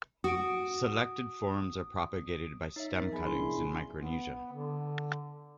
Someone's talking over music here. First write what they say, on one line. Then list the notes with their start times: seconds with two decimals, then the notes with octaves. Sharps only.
Selected forms are propagated by stem cuttings in Micronesia.
0.24 F#4 D#6 D7
2.76 D#4 C#5 E5
2.97 A#4
3.12 F3 F#3 B3 G#4 G#5 B5
3.26 C#4 D4 E4 C6
3.39 C3
3.95 B3
4.53 D3